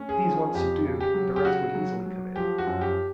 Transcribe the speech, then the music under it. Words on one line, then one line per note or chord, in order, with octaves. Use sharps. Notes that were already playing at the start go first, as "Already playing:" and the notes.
These once subdued, the rest would easily come in.
Already playing: A3 C#4
G#4
F3
F2 G4
C#3
G4
F#3
G4
C#3 F#4
F#3
F#3
F3 G4
F#4
F#2
G4